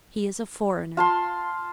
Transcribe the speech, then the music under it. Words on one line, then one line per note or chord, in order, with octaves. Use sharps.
"He is a foreigner."
F4 A5 C6